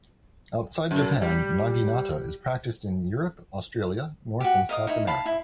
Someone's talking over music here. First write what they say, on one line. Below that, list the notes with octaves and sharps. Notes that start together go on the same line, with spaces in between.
Outside Japan naginata is practiced in Europe, Australia, North and South America.
F#2
G3
F#4 G4
A#4 D#5 F5 D#6
D#4 E4 C#5
F5 A5 B5
E4